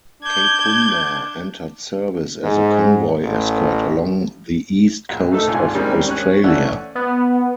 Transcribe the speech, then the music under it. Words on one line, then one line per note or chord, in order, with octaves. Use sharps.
"Kapunda" entered service as a convoy escort along the east coast of Australia.
D4 G6 G#6
G#2
A1
A#1
A3 D#4 A4
C2 G#2 D4 F4 G#5
D#3 G3 G#3 A#3 C4 C#4
C#4 F#6
E3 A3 C#4 D5 F#5
B3